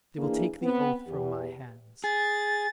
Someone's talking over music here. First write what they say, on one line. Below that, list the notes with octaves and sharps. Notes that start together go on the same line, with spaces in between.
They will take the oath from my hands.
E3 A#3 D4 E4 G#4
B3 C4
E2 G4
G#4 A6